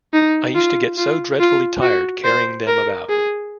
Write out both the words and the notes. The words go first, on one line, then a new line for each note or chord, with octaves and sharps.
I used to get so dreadfully tired carrying them about.
D#4
F4
F4
F4
F#4
C5
A#4
G#4